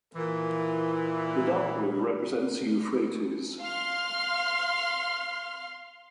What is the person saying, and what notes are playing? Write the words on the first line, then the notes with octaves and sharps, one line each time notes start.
The dark blue represents the Euphrates.
A#2 E3
F5 C6 F6